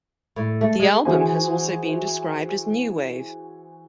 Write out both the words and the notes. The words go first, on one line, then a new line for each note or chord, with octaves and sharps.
The album has also been described as new wave.
A2
A3
G#3
E3 F#4 G#4 C5 G#5